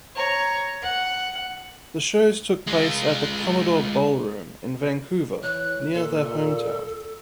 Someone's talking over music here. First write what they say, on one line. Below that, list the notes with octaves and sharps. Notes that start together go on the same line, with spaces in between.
The shows took place at the Commodore Ballroom in Vancouver, near their hometown.
C#5 A#5
F#5
G#3 F4
E3 C#5 F#6
A#2 A4